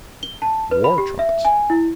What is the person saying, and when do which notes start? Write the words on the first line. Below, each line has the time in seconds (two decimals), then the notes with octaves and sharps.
War trumpets!
0.23 G7
0.42 A5
0.71 B4
0.84 B5
0.98 G4
1.19 E5
1.45 G#5
1.70 E4